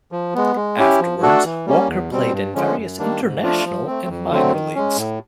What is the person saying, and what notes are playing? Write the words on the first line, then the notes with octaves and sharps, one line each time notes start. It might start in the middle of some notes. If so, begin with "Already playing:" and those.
Afterwards, Walker played in various international and minor leagues.
F3
G#3 B3
G#3
C#4 E4 G4
F3
A3 D4 F#4 A4
E3
G3 A#3 C#4
E2
B2 G3 C4
G2
D3 F3 G#3 C#4
F#2
D#3 G3 A#3 D4
G#2
F3 A3 D4 F4
F3
A3 C4
F2
D3 F#3 A3 C4
D#3
G#3 C#4
A2